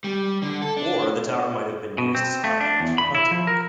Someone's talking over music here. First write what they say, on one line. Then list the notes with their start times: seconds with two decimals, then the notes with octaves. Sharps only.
Or the tower might have been used to spot animals for hunting.
0.04 G3
0.42 D3
0.62 A4
0.77 D4
1.98 B2
2.15 C4
2.44 A3
2.61 D4
2.80 E2
2.98 B5
3.15 E4
3.31 F3
3.47 A#4